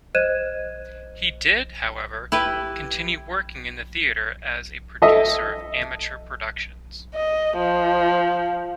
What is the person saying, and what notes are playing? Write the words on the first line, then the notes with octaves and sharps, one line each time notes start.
He did, however, continue working in the theatre as a producer of amateur productions.
C5 D#5 F#6 G#6 D#7 E7
E4 G4 B4
A4 D#5 E5
D#5
F3